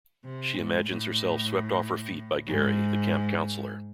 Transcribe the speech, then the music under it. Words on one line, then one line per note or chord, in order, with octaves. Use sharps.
She imagines herself swept off her feet by Gary, the camp counselor.
C3
G#2
A2
G#2